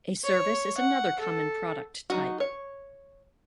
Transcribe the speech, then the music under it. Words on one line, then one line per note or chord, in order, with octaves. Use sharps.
A service is another common product type.
C#5
F#5
A4
F#3 D#4 F#4
C#5